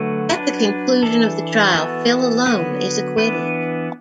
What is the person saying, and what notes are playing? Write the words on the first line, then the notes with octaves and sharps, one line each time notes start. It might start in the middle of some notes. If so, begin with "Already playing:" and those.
At the conclusion of the trial, Phil alone is acquitted.
Already playing: D3 F#3 A3 F#4 B4
F#3 D4 B4
E3 D4 A4
E3 B3 F#4 A4
D3 F#3 B3 F#4 B4
E3 B3 D4 B4